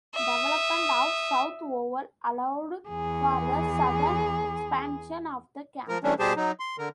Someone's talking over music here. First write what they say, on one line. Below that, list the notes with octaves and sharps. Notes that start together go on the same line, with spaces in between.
Development of South Oval allowed for the southern expansion of the campus.
E5 D#6
E2 G#4
F3 A#4
E3 G3 A3 C#4 D4
B2 G3 G4 G#4 C5 A5
F#3 D#4
C6
D3 A#4